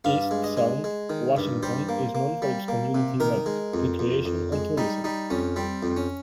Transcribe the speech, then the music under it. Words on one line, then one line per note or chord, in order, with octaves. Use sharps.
Eastsound, Washington is known for its community events, recreation and tourism.
G2 F5
G#3
D#5
G#3
G#3
D#3
G2
G3 C5
A#3
A#3
G3
A#3
C3
D#3 A#4
G#3
F2
F2
F2
G#3
G3 D#4
G3 D#4
F2 C#4
G3 C4
F2
C#4